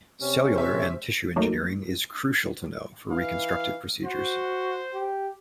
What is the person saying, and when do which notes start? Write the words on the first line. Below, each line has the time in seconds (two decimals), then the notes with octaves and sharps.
Cellular and tissue engineering is crucial to know for reconstructive procedures.
0.21 C3 C#4
0.55 C5 E5
1.36 F#3 A3 A#3 D#4
3.11 E3 F5
4.05 F#4 C5
4.94 G4